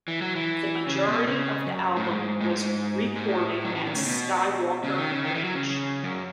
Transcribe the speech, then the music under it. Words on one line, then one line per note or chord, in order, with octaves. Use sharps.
The majority of the album was recorded at Skywalker Ranch.
E3
F#3
E3
C#3
B2
C#3
F#2
A2
G#2
A2
G#2
G#2
A2
F#3
E3
D#3
C#3
B2
C#3
D#3
C#3
D#3
E3
F#3
C#3
F#2